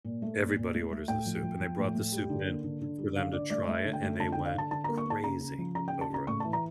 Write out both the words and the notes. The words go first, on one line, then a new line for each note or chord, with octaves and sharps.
everybody orders the soup.” And they brought the soup in for them to try it, and they went crazy over it.
A#2
A3
A#2
A#2
A3
A3
A2 G5
F3
F3
F3
A2
A2
G3
D3
A#3
D3
D3
G3
D3 F5
D3 D5
A3 D5
A3 E5
D3
G5
A3
D3 A5
G5
D3
F5
D3 A5
D3 A5
A#5
A#3
C#6
A#3 A5
C#3 A#5
C#3
F3
C#3 A#5
G5
C#3
A5
C#3 A#5
A2 C#6
A5
E3
A#5